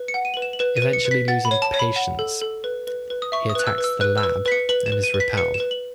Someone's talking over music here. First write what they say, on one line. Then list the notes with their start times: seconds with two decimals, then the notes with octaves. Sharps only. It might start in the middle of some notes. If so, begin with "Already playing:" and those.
Eventually losing patience, he attacks the Lab and is repelled.
Already playing: B4
0.08 C#7
0.14 F#5
0.25 D#7
0.34 F#7
0.37 B4
0.42 E7
0.53 F#7
0.59 B4 E7
0.77 D#7
0.82 B4
0.93 C#7
1.05 B4
1.11 B6
1.28 F#5 A6
1.45 B5
1.51 C#5
1.62 A5
1.74 C#5
1.79 B5
1.96 F#5
2.19 A4
2.41 A4
2.64 B4
2.87 B4
3.10 B4
3.22 D#6
3.32 E5 C#6
3.49 D#6
3.55 B4 F#6
3.67 E6
3.78 B4
3.84 E6
4.01 B4 F#6
4.18 E6
4.23 B4
4.46 B4 B6
4.52 C#7
4.69 B4 F#7
4.86 E7
4.92 B4
5.03 D#7
5.14 B4
5.20 B6
5.37 B4 C#7
5.54 E7
5.60 B4
5.71 F#7